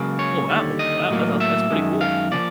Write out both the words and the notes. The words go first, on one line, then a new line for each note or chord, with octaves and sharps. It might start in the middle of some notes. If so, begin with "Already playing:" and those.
Oh wow, wow, that's awes that's pretty cool.
Already playing: C#2 C#3 F#3 A#3
C#5
D#2 D3 G3
D#5
A2 F#3 A#3
E5
F#2 D#3 G#3
F5
C#3 F3 A#3 D5